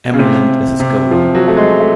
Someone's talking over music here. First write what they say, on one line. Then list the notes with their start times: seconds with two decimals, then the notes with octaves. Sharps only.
Eminent as a Scholar.
0.14 C#3
0.19 C3
0.80 C3
1.11 F3
1.35 F#3
1.48 A3
1.57 G#3
1.80 A3